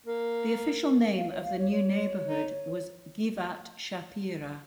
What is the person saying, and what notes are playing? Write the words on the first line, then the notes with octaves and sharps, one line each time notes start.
The official name of the new neighborhood was "Giv'at Shapira".
A#3 A#4
F5
C#5
F5
C#5
C#5
D#4